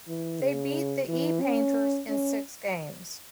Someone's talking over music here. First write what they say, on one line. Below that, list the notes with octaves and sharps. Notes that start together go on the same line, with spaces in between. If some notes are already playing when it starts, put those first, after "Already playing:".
They beat the E-Painters in six games.
E3
C#3
E3
C#4
C#4